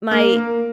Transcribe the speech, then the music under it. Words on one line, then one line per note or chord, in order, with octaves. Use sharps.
the My
A#3
A#3